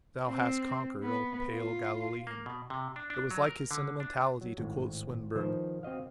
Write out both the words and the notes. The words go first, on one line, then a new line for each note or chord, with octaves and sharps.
"Thou hast conquered, O pale Galilean." It was like his sentimentality to quote Swinburne.
C4
B3
F4
A#3
B2
C3
D4
D4
F#3
A#4
D3
D4
F#3
G#1 A2
D#3 F3 B4 C5
C4 F#4 D#5 F5